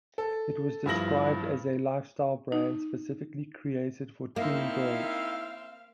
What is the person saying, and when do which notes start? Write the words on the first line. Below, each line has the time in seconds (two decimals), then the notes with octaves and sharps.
It was described as "a lifestyle brand specifically created for tween girls".
0.18 A4
0.86 G2 F3 E4 A#6 F#7
2.52 D#4
4.36 A#3 C4 D#4 E4 E5 F5